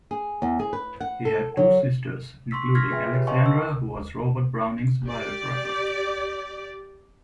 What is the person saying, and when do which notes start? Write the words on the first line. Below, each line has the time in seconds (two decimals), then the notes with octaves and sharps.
He had two sisters including Alexandra who was Robert Browning's biographer.
0.11 G#4
0.42 E2
0.59 G#4
0.73 B4
1.00 F#5
1.25 A4
1.57 F#3
2.51 C6 C#6 E6 B6
2.75 C6 F6 G#6 A#6 B6
2.90 F4 G#4 B4 E5 G5
3.14 G4 B4 C#5
3.27 D#5 F5 G5 A5 C6 C#6
3.46 E6
5.07 G4 D5